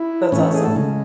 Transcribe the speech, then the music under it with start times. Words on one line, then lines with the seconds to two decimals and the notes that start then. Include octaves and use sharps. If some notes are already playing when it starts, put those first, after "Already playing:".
That's awesome.
Already playing: E4
0.32 A2 E3 A3 C#4
0.43 C#4
0.54 G#4
0.65 A4
0.76 C#3 G#3